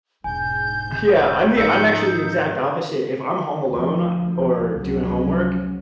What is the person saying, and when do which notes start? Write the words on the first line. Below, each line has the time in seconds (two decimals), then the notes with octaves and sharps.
Yeah, I'm the I'm actually the exact opposite. If I'm home alone or doing homework,
0.24 E1 G#2 G#5 G6
1.57 G#2 C#3 F3 D#4 E6 G6 C#7
3.71 D2 F3
4.77 F1 C#2 F#3 C#4